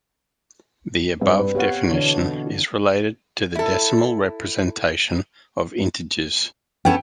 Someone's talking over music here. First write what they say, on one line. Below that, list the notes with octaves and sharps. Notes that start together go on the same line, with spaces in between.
The above definition is related to the decimal representation of integers.
G2 C4 B4
B3 G4 C#5 F5 F#5
B2 D3 E3 D4 C#5
E4 A4
B3 C#4 A4 G5